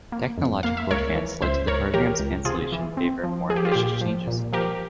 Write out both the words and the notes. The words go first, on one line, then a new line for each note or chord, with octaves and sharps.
Technological advance led to the program's cancellation in favor of more ambitious changes.
A#3
F2
A#3 F5
E5
C#2 A#4 C#5
E3
C#2 C5 E5
C#2 A#4 C#5
E3 G4 A#4
C#2
C3 F4 G#4
E3
C4
F3
F3 G#4
G4
F4
A#2 G4
F3
A#2
F3 G4 A#4